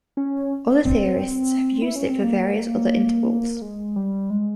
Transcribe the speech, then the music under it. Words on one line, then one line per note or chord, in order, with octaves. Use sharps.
Other theorists have used it for various other intervals.
C#4
C4
E4
C#4
C4
A#3
G#3
G3
G#3